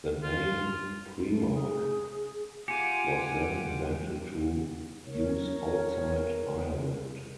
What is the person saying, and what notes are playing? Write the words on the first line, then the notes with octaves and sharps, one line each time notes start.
The name "Primark" was then invented to use outside Ireland.
F4
A3
G#4
F4 G4 F#5 G#5 D6 C#7
A#4 C#5